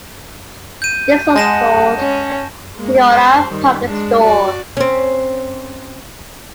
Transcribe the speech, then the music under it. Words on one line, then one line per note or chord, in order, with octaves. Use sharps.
This was called "Toyota Public Store".
G6 D#7
G#3 F#5 A5 A#6 E7
C#4
G#3 A#3
C5
D#3 G3
G#3 D4
F#4 D5
C4 C#4